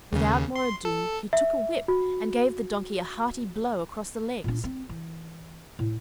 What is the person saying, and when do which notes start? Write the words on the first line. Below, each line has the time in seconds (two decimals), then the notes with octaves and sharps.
Without more ado, he took a whip and gave the Donkey a hearty blow across the legs.
0.13 D#2 C#3
0.56 C6
0.85 A4
1.33 E5
1.88 F#4
4.44 A#2 D4
4.64 C4
4.89 E3
5.79 A2